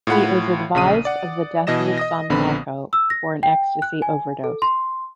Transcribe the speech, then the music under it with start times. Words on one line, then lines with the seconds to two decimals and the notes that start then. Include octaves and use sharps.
He is advised of the death of his son Marco for an Ecstasy overdose.
0.07 A2 F4 F#5 B5
0.75 A#1 C#3 D#6 D#7
1.05 D5 F#5
1.67 B2 E3 D#5 A#6 E7
1.98 D#5 D#6 A#6
2.30 A#1 D3 B3 C4 B5
2.93 E6
3.10 A#6
3.43 G5
3.82 F#6
4.02 G#5
4.44 A4
4.62 C6